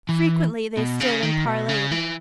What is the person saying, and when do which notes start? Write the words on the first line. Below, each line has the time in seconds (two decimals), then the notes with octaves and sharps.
Frequently they stood and parleyed.
0.09 E3
0.77 B2
1.01 C#3
1.23 D#3
1.46 B2
1.69 C#3
1.92 E3